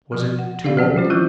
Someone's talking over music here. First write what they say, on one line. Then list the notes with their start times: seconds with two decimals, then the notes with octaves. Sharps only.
"Was it too bold?"
0.12 F3
0.39 F#5
0.64 C#4 G4 D5 F5
0.77 F3 C4 F#4
0.96 C#4 F4 C5
1.10 E3 F#3 E4 F4 F6 G6